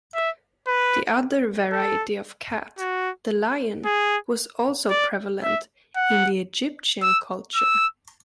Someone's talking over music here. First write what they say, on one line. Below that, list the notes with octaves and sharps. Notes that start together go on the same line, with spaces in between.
The other variety of cat, the lion, was also prevalent in Egyptian culture.
E5
B4
A4
F#4
G#4
D5
E5
F#5
E6
E6